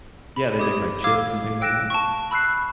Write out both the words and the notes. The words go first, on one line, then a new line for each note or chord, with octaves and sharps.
Yeah, they make, like, chips and things like that.
B5
G4 D#6 G#6
F5 D6 E6 F6 G#6
G5 E6 F#6 A#6 D7 E7
A5 C#6
B5 E6 F#6 C7